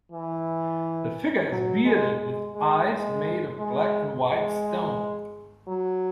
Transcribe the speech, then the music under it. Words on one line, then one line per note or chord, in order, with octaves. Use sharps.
The figure is bearded with eyes made of black and white stone.
E3
F#3
G#3
G#3
G#3
G#3
G#3
G#3
F#3